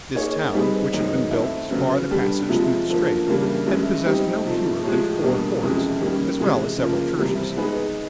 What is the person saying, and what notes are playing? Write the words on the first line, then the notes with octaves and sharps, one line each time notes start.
This town, which had been built to bar the passage through the strait, had possessed no fewer than four forts as well as several churches.
A#3 D#4 G#4 C#5
G3 C4 D#4 G#4 B4
F#2 D#3 G#3 B3 D#4
A3 C4 E4
C#3 F#3 B3
D3 G3 B3 D4
C3 F3 G#3 C4 E4
D3 F3 A#3
C#3 E3 G3 A#3 D4
G2 E3 G#3 C#4 E4
G3 C4 D#4 G4 C5
C3 F3 A3
A2 F3 G#3
E2 B2 G3 A#3 D4
F2 C3 E3 G#3 C#4
D#3 G3 A#3 C#4
C3 E3 G#3
C#3 F3 A#3
C3 E3 G3 C4
G#3 B3 D#4 G#4 B4